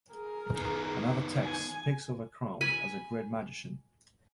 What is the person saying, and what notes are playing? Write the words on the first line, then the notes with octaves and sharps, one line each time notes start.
Another text speaks of a crown as a "great magician."
G#4 A#4
D#3 B3
G#5
G#5 B5